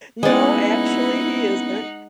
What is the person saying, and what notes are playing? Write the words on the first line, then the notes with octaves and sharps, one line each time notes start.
No, actually, he isn't.
G#3 A#3 B3 C#4 D#4 E4 D5 F#5